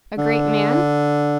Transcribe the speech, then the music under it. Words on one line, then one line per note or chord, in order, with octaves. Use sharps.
A great man?
D3